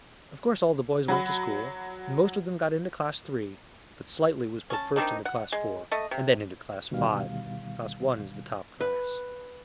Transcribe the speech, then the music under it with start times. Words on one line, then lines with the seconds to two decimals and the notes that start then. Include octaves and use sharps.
Of course all the boys went to school; and most of them got into Class III, but Slightly was put first into Class IV and then into Class V. Class I is the top class.
1.08 F#3 F#4 B5
4.70 C#4 A5
4.96 D#3 C4 D4 D#4
5.25 F#5
5.52 G#3
5.91 A3 D#5
6.11 C3
6.91 D2 B2 D#3 G3 F5
8.80 B4